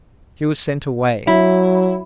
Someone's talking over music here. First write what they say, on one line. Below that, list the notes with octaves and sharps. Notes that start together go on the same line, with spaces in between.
She was sent away.
F#3 E4